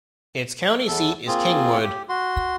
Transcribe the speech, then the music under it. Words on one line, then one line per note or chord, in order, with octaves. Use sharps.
Its county seat is Kingwood.
E2 A4
A#3 C4 F4 G#4
G4
F#4 C6